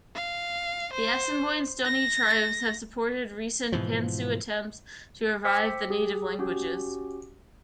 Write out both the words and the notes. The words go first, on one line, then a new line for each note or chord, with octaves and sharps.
The Assiniboine-Stoney tribes have supported recent "pan-Sioux" attempts to revive the native languages.
F5
C5
A#6
G#2 B2 E3 F3
C5 G5 D6 E6 B6 C#7
G4 G#4
C#4 F#4 G4